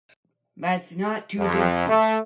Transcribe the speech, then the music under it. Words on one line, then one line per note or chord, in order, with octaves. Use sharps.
That's not too dusty.
F2
A3